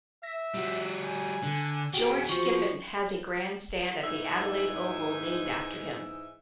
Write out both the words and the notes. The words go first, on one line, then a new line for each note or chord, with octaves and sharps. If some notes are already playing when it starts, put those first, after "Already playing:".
George Giffen has a grandstand at the Adelaide Oval named after him.
E5 A#6 B6
G3 F#4
G#5
D3 F#6 G6
E2 F#4 G#4 G5
F4 C5 C#6
G#2 E3 D#4 E5